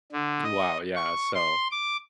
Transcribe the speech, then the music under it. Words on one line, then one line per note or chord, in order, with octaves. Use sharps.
Mm, wow, yeah, so,
D3
D#5
C#6
C6
D6